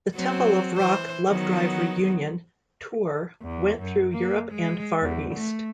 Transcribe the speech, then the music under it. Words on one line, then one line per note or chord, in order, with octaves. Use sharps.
The "Temple of Rock - Lovedrive Reunion" tour went through Europe and Far East.
F#3 C4
E3 C5
D#3 F#3 B3
E2
F#2
A#3
G#3
E2
A3